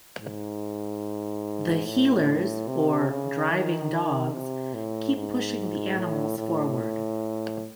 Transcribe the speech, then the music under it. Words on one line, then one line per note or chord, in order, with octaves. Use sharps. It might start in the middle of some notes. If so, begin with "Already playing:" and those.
The "heelers" or driving dogs keep pushing the animals forward.
G#2
A2
C3
C#3
D#3
C3
A2
G#2
A2
A2